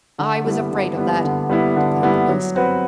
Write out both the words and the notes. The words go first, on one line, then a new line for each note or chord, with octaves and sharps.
"I was afraid of that," declared the beast.
D3
G3 B3 E4
D3
G3 B3 E4
D3
G3 B3 E4
D3
G3 B3 E4
F#3
C4 F#4 B4